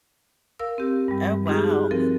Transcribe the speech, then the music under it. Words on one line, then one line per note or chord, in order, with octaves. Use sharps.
Oh, wow.
A#4 F5 E6
C4 G4
G2 G3
G#3 D#4 F4 G4 G#4
F#4
F3 C4 A4 A#4